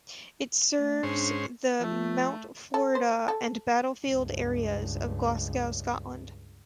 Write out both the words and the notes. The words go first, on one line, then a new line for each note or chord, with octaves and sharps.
It serves the Mount Florida and Battlefield areas of Glasgow, Scotland.
A3
G#2 C#4 D4 C5
F3 A3
A4
C5
A4
C#2 G2